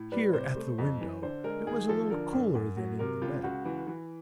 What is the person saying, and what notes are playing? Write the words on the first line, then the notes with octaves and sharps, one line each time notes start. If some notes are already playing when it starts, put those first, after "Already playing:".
Here at the window it was a little cooler than in the bed.
Already playing: A2
G3 B4
C3 C5
A3
F2
E3
D3 C5
G#3 A#4
D#2 G#4
F3 A4
D3 A#4
F#2
F#2
F#3
C3 A#4
C#2 F4
C#2 F#4
E3
E3